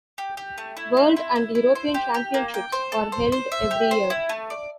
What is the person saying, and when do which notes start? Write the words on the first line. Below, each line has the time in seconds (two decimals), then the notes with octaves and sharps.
World and European Championships are held every year.
0.18 G4
0.37 G4
0.58 A3
0.77 E4
0.97 C4
1.17 E4
1.36 E4
1.55 E4
1.75 C5
1.94 G4
2.14 G4
2.34 A#3
2.54 G5
2.72 C5
2.92 A4
3.12 C5
3.32 C5
3.52 E5
3.71 G4
3.91 C5
4.10 E4
4.29 A3
4.50 D5